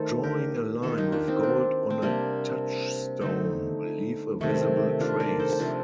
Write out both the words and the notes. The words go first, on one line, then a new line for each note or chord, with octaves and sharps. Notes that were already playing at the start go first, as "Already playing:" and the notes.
Drawing a line with gold on a touchstone will leave a visible trace.
Already playing: D#3 A3 A4 C5
G4 A#4
D#3 A#3 F4 A4
D#4 G4
D4 F4
C4 D#4
D4
C4
C3 G3 A#3 D4
D3 A3 C4 D#4
C3 D#3 A3
D4 F4
A#4 D5
A4 C5
C3 F3 A3 D4 F4